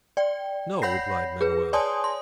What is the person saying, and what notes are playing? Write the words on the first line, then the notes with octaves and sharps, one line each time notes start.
"No!" replied Manoel.
D5 G5
C#5 F#5 B5 G6 A#6 C7
G#4 B4
C#5 D5 G#5 A5 C6 D#6
C6